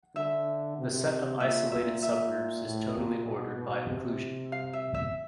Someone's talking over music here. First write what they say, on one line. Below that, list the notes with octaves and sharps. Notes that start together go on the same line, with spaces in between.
The set of isolated subgroups is totally ordered by inclusion.
D3 E5
C3
A#2 E5
E5
E5
A2
A#2
B2
B2
C3
F5
E5
E5